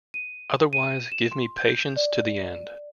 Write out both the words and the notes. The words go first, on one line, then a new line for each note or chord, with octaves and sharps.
Otherwise give me patience to the end.
D#7
D#7
E7
C6
G6
D5